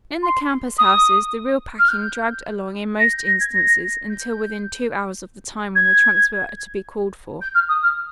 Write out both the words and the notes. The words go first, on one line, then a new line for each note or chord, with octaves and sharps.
In the campus houses the real packing dragged along in most instances until within two hours of the time when the trunks were to be called for.
C6
D#6
F6
G6
A#6
G6
A#6
G#6
A#6
G6
G#6
G6
F6
D#6
F6